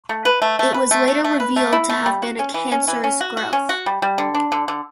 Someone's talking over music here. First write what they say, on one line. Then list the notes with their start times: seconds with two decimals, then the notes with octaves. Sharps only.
It was later revealed to have been a cancerous growth.
0.09 A3
0.25 B4
0.42 A3
0.59 A3
0.74 B4
0.91 A3
1.08 A3
1.24 A3
1.40 B4
1.56 A3
1.73 E4
1.89 A3
2.06 G3
2.22 F#4
2.39 C#4
2.54 E3
2.72 C#4
2.88 E3
3.04 C#4
3.21 F#4
3.37 F#4
3.53 C#4
3.69 F#4
3.86 G3
4.02 G3
4.18 D3
4.34 D4
4.52 D3
4.68 D3